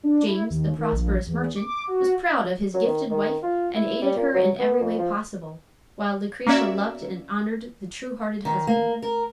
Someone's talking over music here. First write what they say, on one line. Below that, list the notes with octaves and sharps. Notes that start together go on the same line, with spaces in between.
James, the prosperous merchant, was proud of his gifted wife, and aided her in every way possible; while Lucretia loved and honored the true-hearted husband.
D4
E4
D#2
D#3
A#1
E2
D6
F#4
F#3
D#3
D#3
F4
E4
G3
A#2
F#3
B3
F2
F3
A#3 C#4 F#4 D5 E5
D#3
A#3
A#4